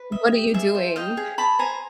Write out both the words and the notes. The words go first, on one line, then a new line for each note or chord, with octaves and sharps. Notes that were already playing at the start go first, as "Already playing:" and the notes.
What are you doing
Already playing: B4
D#5 E5
G4
G#4 E5
C5
D#5 F5 G5
G#4
G#4 A5 B5
C5 G#5 A#5